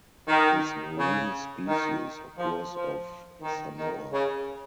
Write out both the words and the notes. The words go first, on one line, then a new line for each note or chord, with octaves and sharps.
This marine species occurs off Samoa.
D#3
C#3
D#3
F3
F3
D#3
D#3
C#3